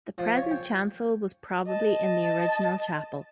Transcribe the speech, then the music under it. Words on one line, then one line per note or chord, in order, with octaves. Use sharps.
The present chancel was probably in the original chapel.
F3
C#5
G5
D#5 A5